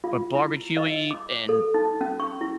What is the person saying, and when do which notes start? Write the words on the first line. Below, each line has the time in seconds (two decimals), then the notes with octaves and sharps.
but barbecue-y, and,
0.04 F4
0.35 E4
0.77 D#5
1.11 D6
1.49 A4
1.74 D#4
2.01 C#4
2.20 C#6
2.41 E4